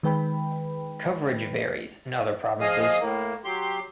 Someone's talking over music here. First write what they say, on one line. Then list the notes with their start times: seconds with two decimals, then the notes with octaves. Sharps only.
Coverage varies in other provinces.
0.03 D#3 G#3 B4 G5 B5
2.61 F3 G#4 D#5 F5 D#6
3.00 A2 A#3
3.45 F#3 G4 C6